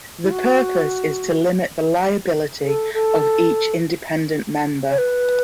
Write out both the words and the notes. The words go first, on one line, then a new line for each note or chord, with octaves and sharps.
The purpose is to limit the liability of each independent member.
E4
F#4
A4
A4
C#5
B4